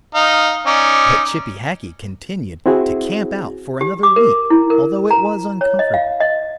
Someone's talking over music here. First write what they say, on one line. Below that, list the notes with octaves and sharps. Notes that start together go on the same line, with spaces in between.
But Chippy Hackee continued to camp out for another week, although it was uncomfortable.
D#4 F5
C#4 D#4 D5
C4 E4 F#4 G#4
G4
D6
A#4
E4
A#4
A#5
C#5
D#5
F5
D#5